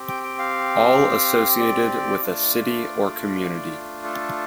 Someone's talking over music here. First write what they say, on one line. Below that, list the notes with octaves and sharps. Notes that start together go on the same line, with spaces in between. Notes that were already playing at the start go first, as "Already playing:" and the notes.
All associated with a city or community.
Already playing: C4 G4
G5
G5
F5
D5
A3 D4 F4
A4